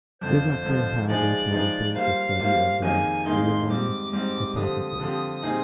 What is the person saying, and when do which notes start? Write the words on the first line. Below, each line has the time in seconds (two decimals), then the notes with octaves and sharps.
It is not clear how this will influence the study of the Riemann hypothesis.
0.21 F2 D3 F3 C5
0.65 F2 D3 F3
1.08 F3 G#3 D#4 G#4 D5
1.52 F3 G#3 D#4 G#4
1.95 G3 A#3 F4 C5 F5
2.39 G3 A#3 F4 C5
2.82 F2 D#3 A#3 D#4 G#4 G#5
3.25 F2 D#3 A#3 D#4 G#4 C6
3.68 G#2 G3 C4 D6
4.12 G#2 G3 C4 D6
4.56 D3 F3 C4 G4 D#6
5.00 D3 F3 C4 G4
5.43 A#2 G3 C4 D#4 G#4